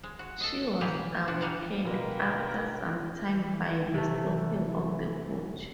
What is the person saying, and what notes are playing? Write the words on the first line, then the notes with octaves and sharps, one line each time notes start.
She was awakened, after some time, by the stopping of the coach.
G#3
F#4
A4 D#5
B2 D#3 E3 G4 G#4 A#4
B2 D4 F#4
E3 G3 F#4 F5 F#5 A#5
B2 D3 G#3 A#3 A#4 B4 G5
E3
C3 A3